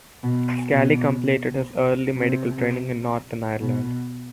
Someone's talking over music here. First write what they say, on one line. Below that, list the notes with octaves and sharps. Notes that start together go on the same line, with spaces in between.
Scally completed his early medical training in Northern Ireland.
B2
B2
C3
B2